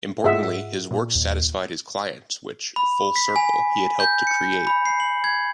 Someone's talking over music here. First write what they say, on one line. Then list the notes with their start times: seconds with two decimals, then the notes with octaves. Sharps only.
Importantly, his works satisfied his clients, which, full-circle, he had helped to create.
0.24 G#2 F4 G#4 E5 F#5
0.91 A#2
1.15 D#2
2.76 B5
3.16 B6
3.36 G#5
4.00 G6
4.27 C#7
4.67 B5
4.85 C7
5.00 F#7
5.24 G#6